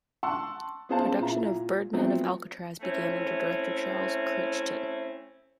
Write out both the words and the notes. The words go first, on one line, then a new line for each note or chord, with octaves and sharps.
Production of "Birdman of Alcatraz" began under director Charles Crichton.
F#5 A5 C6 C#6 E6
B3 C#4 G#4 C5 F5 A5
A#2 E4 A#5
A#2
F3 F#3 A3 B3 C4
A3 C4 C#4 E4